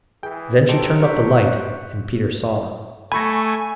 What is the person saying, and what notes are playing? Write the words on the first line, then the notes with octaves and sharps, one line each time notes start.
Then she turned up the light, and Peter saw.
E3 G#4 G5
F#3 G4 A4 C6 C#7 D7
D4 F#4 C#6 G6 B6
F#6
A3 G#5 B5 C#6 A#6